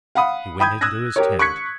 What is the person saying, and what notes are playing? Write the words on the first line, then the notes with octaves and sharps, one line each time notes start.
He went into his tent.
F5 F#5 B5 D#6
G5 B5 D#6 G6 G#6
D#6 E6 F#6 G#6 A#6
G4 A#4 C#5
C#6 F#6 G#6 B6 C#7